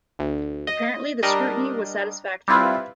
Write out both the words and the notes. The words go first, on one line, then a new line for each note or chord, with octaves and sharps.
Apparently the scrutiny was satisfactory.
D2
D#5
G3 D4 A#4 D#5
G3 C4 E4 F4 B4